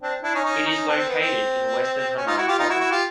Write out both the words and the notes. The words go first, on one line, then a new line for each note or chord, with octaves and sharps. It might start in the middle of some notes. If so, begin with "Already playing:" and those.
It is located in western Hunan province.
C4 D4
D4 E4
C#4 D#4
C#4 D#4
C#4 D#4
C4 D4
C4
B3
C4
C#4
D#4 F4
E4 F#4
F4 G4
D#4 F4
E4 F#4
E4 F#4
F4 G4